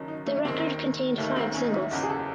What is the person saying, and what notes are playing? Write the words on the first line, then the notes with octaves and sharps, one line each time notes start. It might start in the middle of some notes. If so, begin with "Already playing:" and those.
The record contained five singles.
Already playing: F#1 F#2 D#3
D#4
A3
D#2 D#3 C4
D#2 D#3 A3
C4
C#4
D#4
E4
F#1 E2 C#3 F#4
G#4
A4